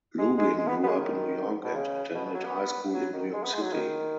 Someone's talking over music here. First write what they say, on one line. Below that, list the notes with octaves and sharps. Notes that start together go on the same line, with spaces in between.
Lubin grew up in New York and attended high school in New York City.
G#3
G#3
G#3
B3
B3
G#3
D#3
B2
C#3
B2
B2
F#3
B3
F#3
D#3
G#3
B3
G#3
F#3
D#3